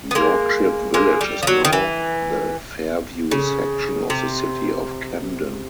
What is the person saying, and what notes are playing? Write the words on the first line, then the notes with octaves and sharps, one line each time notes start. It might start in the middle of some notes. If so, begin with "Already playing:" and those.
Yorkship Village is now the Fairview section of the City of Camden.
B3
G#3 A#3
G#3 A#3
G3
F3
F#3
D#3
E3
C#3
C3